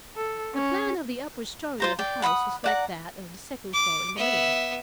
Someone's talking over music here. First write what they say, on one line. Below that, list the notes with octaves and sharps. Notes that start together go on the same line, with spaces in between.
The plan of the upper story of the house was like that of the second floor, in the main.
A4
C#4
F4 C5 A#5
D5 G5
F#5 B5 C6 D#6
D5 F#5 A#5
D6
B3 E5